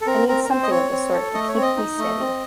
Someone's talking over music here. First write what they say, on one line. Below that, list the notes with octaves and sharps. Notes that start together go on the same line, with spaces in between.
I need something of the sort to keep me steady.
A4
C4 A#4
C4 A#4
A#4
C4 C5
D#5
C4 C#5
C4
A4
A3 D#5
C#5
C4
D#5
D#4
A3
C4